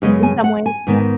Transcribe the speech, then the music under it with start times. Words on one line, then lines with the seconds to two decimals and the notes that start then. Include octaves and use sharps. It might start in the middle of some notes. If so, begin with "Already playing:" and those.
In some ways, yeah.
0.02 F#2 C#3 G#3 B3 D#5
0.23 G#5
0.44 F#5
0.66 G#5
0.87 G#2 D#3 B3